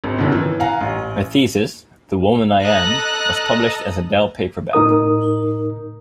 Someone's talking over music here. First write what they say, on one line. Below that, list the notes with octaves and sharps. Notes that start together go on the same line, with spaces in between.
Her thesis, "The Woman I Am", was published as a Dell paperback.
G#1
F#2 B2 D3 D#3
E3
F5 F#5 G#5 A#5
A1
A4 D#5 A#5 F#6
A2 D#4 A#4 D#6